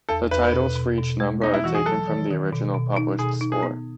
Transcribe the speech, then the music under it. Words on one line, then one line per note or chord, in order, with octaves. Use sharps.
The titles for each number are taken from the original published score.
E2 A4
E2 B4
B2
B2
B2
G#3
B3 D#4
E4
E3 F#4
G#4
F#3 A4
D#3
D#3
B2
B2
D#4
B2 G#4
D#4
G#4
B3